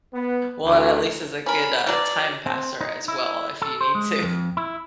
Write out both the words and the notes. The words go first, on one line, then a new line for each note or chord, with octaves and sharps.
Well, at least is a good, uh, time passer as well if you need to.
B3
D2
C#4 A#4 B5
B2 F#3 D5
C4
D#4
E4
A4
C5
G#3
F2
E4